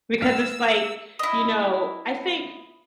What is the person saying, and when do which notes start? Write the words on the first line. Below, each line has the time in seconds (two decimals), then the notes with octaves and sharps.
because it's like you know, I think
0.22 F5 E6
1.19 E4 D#5